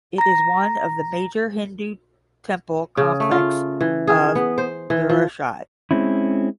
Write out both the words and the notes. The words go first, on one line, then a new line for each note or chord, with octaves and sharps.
It is one of the major Hindu Temple complex of Gujarat.
A#5 A#6
C#3
A3
F4
E3
G#4
B3
C5
E3
F3
G#3 C4 C#4 E4